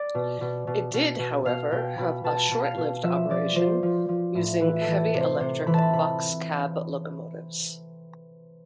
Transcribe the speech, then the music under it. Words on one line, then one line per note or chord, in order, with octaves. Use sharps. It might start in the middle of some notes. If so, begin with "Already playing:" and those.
It did however, have a short-lived operation using heavy-electric boxcab locomotives.
Already playing: D5
B2
B2
B2
B2
B2
B2 F5
B2 G5
B2 B5
B2 A5
B2
F5
B2
F3 E5
F3 D5
F3 C5
F3
F3
A2
E3 B4
A4
E3
C3
C5
C3 C5
E3 B5
A5
B5
C3 B5